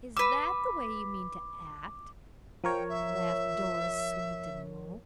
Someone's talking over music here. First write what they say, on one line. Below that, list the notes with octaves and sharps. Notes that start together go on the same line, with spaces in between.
"Is that the way you mean to act?" laughed Doris, sweet and low.
B4 D6 E6
F3 A#4 C#5 G5
E5